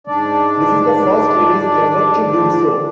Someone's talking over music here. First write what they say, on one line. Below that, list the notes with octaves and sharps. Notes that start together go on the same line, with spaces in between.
This is the first release ever to do so.
G#2 D4 D5